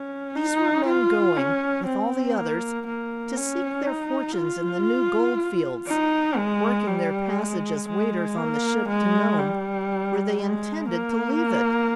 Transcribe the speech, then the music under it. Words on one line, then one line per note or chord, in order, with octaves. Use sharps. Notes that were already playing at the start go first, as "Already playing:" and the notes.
These were men going, with all the others, to seek their fortunes in the new gold fields, working their passage as waiters on the ship to Nome, where they intended to leave it.
Already playing: C#4
D#4
F4
C#4
C4
A#3
A#3
C#4
D#4
F4
D#4
G#3
G3
G#3
G#3
A#3
G#3
G3
G#3
A#3